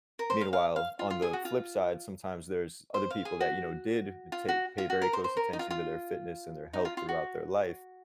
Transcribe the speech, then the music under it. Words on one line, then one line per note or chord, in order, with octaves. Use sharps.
Meanwhile, on the flip side, sometimes there's other people that, you know, did ta pay very close attention to their fitness and their health throughout their life,
A#4
C5
F5
F5
F5
F4
F4
G#4
F#4
F4
C5
F5
G#4
F#4
F4
F#4
F4
F#4
A#4
C5
C5
A#4
D#4
F4
F4
D#4
F4
F4
F#4